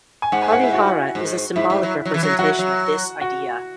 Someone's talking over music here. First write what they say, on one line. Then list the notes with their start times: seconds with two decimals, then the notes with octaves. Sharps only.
Harihara is a symbolic representation of this idea.
0.22 G#5
0.32 G#2 F#5
0.42 G#5
0.52 F#5
0.63 E4
0.73 F#4
1.15 G#2
1.56 G#2 E4
1.70 G#2
1.83 F#3
2.05 F#3
2.14 E3
2.23 F#3
2.39 F#3 F#4
2.59 F#3
3.21 F#4